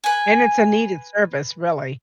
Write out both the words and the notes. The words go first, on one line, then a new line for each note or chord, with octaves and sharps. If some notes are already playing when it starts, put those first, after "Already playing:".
And it's a needed service, really.
B4 G#5